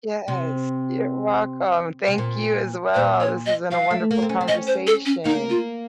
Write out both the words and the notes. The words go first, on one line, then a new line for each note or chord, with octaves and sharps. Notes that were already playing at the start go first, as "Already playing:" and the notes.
Yes, you're welcome. Thank you as well. This has been a wonderful conversation
C3
C3
A#2
A#2 C5
C#5
D#5
F#3 F5
A3
A#3
C4
C#4
C4
C#4 D#5
C5
A4
C#4
A#3 D#4
F4